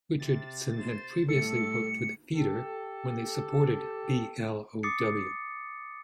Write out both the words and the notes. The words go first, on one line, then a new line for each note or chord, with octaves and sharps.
Richardson had previously worked with Feeder when they supported b.l.o.w.
C3 A6
C5
A2 G3 A3 A4 C#7
G4 A4
D6 D#6 A6 C7 C#7